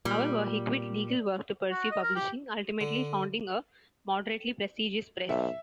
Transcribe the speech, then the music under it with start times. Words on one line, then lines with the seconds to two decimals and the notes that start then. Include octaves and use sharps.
However, he quit legal work to pursue publishing, ultimately founding a moderately prestigious press.
0.05 A#2 G3
1.71 F#4
1.91 D#5
2.02 A#4
2.15 G4
2.81 D3
5.29 B1 E5